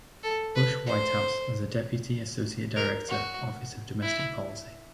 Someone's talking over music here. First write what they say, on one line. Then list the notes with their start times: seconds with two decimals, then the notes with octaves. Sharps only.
Bush White House as a Deputy Associate Director, Office of Domestic Policy.
0.23 A4
0.56 B4
0.87 C5
2.76 A#4
3.08 F#4
4.03 E4